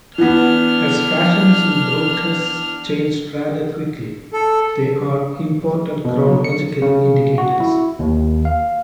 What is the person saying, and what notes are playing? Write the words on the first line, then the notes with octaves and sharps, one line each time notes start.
As fashions in brooches changed rather quickly, they are important chronological indicators.
E3 B3 D4 F6
A4
B2
F#3
C#7
C#3
F#4
E4
D#2
F5